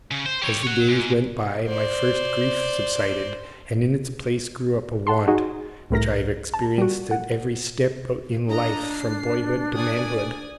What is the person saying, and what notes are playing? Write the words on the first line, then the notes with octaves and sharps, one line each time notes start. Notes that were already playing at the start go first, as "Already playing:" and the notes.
As the days went by my first grief subsided, and in its place grew up a want which I have experienced at every step in life from boyhood to manhood.
C#3
C5
G4 C#5
C#5 F#5
G#2
C5 D5
F#5 A5 C6
D#4 F#4 G#4
C2 A2 A#4 A#6
A5
G3 F#4
F#5
D4 D#5 A#5
C7
D5 G#5 D#6